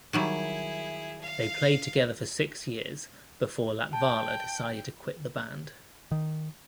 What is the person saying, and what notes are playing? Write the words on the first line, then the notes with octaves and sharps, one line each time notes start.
They played together for six years before Latvala decided to quit the band.
D#3 F#3 G3 E4 G#4
F5
G5 A5
D#3